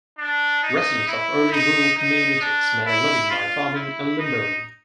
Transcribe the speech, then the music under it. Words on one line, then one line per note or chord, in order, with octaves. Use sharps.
Residents of early rural communities made a living by farming and lumbering.
D4
D#4
E4
D#4
D#4
D4
E4
F4
E4
D#4